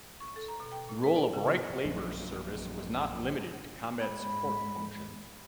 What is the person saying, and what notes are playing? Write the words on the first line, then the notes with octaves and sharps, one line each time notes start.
The role of the Reich Labor Service was not limited to combat support functions.
C#6
A4
A#5
B2
G5
A#2
B4
D5
C#3
B3
A#1 F#2
G#2 G#3 B5